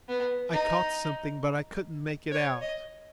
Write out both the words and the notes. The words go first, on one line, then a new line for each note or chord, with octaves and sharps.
I caught something, but I couldn't make it out.
B3
D#4
C#5
D#5